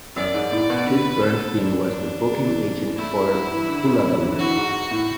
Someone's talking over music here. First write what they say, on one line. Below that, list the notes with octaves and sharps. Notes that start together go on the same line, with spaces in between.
Sid Bernstein was the booking agent for Hullabaloo.
F#2 D5
G#2
A2
B2
D3 B4
A4
D4
G#3
E3
E3
A3 E4
G#3
F#3
E3
D3
C#3
D3
D3
D3
E3 F#4
G#2
A2